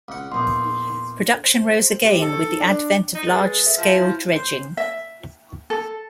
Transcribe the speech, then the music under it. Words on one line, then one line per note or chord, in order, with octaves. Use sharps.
Production rose again with the advent of large-scale dredging.
C#2 F#5
A#1 E2 C6
C5
C3
A4
D4
D#4
G#3 G#4 B4 A6
E5
F3
E4 F4 C5
C5
E5
A4